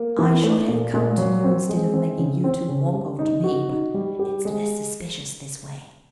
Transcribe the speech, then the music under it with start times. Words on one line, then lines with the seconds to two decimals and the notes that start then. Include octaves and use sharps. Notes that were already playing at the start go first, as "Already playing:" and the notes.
"I should have come to you instead of making you two walk over to me, but it's less suspicious this way."
Already playing: A#3
0.19 E3
0.43 A3
0.68 A#2
0.94 A#2
1.18 F#3
1.44 C4
1.69 G#3
1.93 C4
2.18 C#3
2.44 C4
2.69 C#3
2.94 G3
3.19 D#4
3.44 F#4
3.69 D#4
3.94 G3
4.19 G4
4.45 G#3